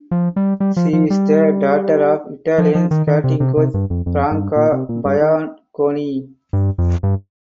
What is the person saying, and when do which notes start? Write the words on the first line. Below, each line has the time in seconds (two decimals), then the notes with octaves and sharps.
She is the daughter of Italian skating coach Franca Bianconi.
0.11 F3
0.36 G3
0.60 G3
0.77 F3
0.93 F3
1.10 G3
2.58 F3
2.75 F3
2.91 D#3
3.07 D#3
3.24 C3
3.40 C3
3.57 C3
3.74 G2
3.90 F2
4.06 F2
4.31 G2
4.56 A#2
4.72 C3
4.89 A#2
5.05 G2
5.22 D#3
6.53 G2
6.78 F2
7.03 G2